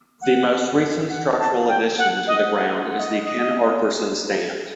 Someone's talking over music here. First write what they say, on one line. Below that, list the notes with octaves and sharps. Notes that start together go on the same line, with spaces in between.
The most recent structural addition to the ground is the Ken Arthurson Stand.
F#5
F#5
A5
G5
F#5
D#5
F#5
F#5
D#5
D#5